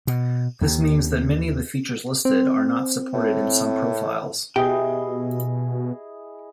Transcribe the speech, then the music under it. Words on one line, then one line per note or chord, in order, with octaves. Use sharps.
This means that many of the features listed are not supported in some profiles.
B2
D#2
C4
A2
B2 E4 G4 G#4 D#5 G5